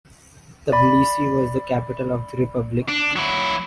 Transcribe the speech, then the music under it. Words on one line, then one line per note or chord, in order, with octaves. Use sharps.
Tbilisi was the capital of the republic.
D5 B5
D4
F#3 E4